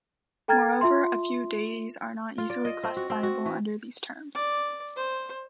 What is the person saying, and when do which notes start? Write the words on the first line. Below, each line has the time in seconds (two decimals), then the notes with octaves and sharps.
Moreover, a few deities are not easily classifiable under these terms.
0.48 A4 G5 A#5 F6 G#6 A6
0.81 F4 E5 C6
2.38 F4
2.50 D5
2.65 D#5
2.83 C4
2.97 F#4
3.10 C4
3.23 F#4
3.46 E3
4.35 D5
4.96 C5